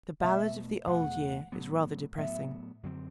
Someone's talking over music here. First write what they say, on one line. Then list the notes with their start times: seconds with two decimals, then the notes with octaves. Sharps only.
The Ballad of the Old Year is rather depressing.
0.22 E2 B2 A3 E5
0.86 E2 B2 A3 F#5
1.52 A2 F#3 B3
2.18 A2 F#3 B3 E5
2.83 F#2 D3 F#3 C4